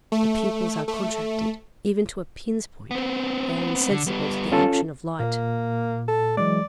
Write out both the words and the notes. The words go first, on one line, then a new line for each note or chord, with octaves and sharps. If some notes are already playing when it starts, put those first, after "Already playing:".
The pupils are contracted, even to a pin's point; they are insensible to the action of light.
A3
A3
B3 C4
D3
G3 B3
C#4 F4 A4
A#2 A#3
A4
E3 F#3 G#3 D5